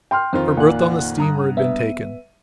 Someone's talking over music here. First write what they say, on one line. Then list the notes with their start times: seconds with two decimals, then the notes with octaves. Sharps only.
Her berth on the steamer had been taken.
0.11 G5 C6 F6
0.33 F2 D#3 C4 F4 C5
0.57 A#2 F#5 F#6
1.18 G2 A#5 D#6
1.57 B3 E5
1.79 D#7